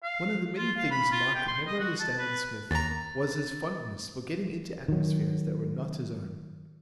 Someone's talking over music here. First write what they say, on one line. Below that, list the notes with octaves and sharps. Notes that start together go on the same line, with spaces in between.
One of the many things Mike could never understand in Psmith was his fondness for getting into atmospheres that were not his own.
F5
F4
F5
B5
F4
G5
C6
D#5
F#4
A5
B4
D#2 A#5 A6
D#3 F#3